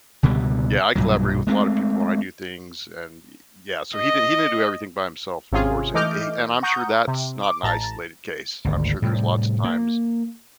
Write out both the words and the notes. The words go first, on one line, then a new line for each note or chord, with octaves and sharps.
yeah, I collaborate with a lotta people when I do things and y yeah. So he did he didn't do everything by himself, of course. And he and I'm sure that's not an isolated case. I'm sure there's lots of times
C#2 B2 D3 G3
B1 G2 A#2 F#3
G#3 A3 C4
D#5
G#1 C3 C#4 F4 G#4
E3 A3 D#5 D6 F6 G6
F#5 A#5 C#6 D#6 G6
C3
D6
A1 A5 A#5 A6
G#1 D2
A2 C3 G3
A#3